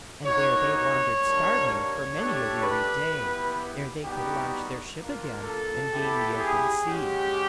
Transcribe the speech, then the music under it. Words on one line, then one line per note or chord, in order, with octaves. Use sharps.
And there they wandered starving for many a weary day, ere they could launch their ship again, and gain the open sea.
A#3 D#4 F#4 C#5
C#5
G3 A#3 D4
C#5
A3 D4 G4
B4
B3 E4 G4
G3 B3 D#4 F#4 G4
A#3 D4 F4
A4
B3 E4 G4
G#4
G#3 C#4 F#4 G4